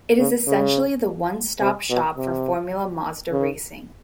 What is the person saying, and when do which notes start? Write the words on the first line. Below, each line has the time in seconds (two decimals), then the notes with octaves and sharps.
It is essentially the one-stop shop for Formula Mazda Racing.
0.19 C#3
0.47 C#3
1.61 C3
1.90 B2
2.17 C3
3.31 C#3